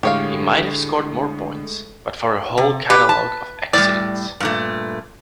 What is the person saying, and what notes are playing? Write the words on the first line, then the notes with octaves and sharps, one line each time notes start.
He might have scored more points but for a whole catalogue of accidents.
A2 D3 G#3 G4 C#5 F5
C3
G4 B4
A5
A2 G3 D5
G2 A#2 A3